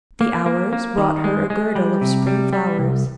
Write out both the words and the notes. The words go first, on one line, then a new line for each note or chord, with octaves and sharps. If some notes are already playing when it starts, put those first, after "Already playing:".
The Hours brought her a girdle of spring flowers.
A#3
A#3
A#3
D#3
G#3
G#3
G3
C3
G3
G3
C2